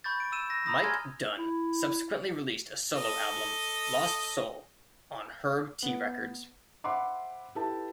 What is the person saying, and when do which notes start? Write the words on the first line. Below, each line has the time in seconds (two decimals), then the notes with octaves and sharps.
Mike Dunne subsequently released a solo album, "Lost Soul", on Herb Tea Records.
0.04 B5 C#6 G6 A6
0.20 D7
0.32 E6 D#7 E7
0.50 A#6
0.66 A#5 B5 D#6 A#6
0.84 G#5 A#5 C6 F6 G#6
1.38 E4
2.95 A4 D#5
5.82 B3
6.84 C5 E5 F#5 B5 C6 D6
7.55 E4 G4 A4 B4 A5